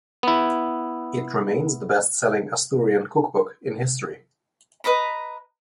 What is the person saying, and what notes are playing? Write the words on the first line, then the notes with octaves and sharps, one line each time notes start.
It remains the best selling Asturian cookbook in history.
B3 E4
B4 D#5 A#5 B5